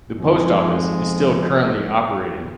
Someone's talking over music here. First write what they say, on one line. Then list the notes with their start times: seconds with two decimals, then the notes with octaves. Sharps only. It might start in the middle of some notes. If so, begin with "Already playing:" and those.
The post office is still currently operating.
0.19 F2 G#2 F3 G#3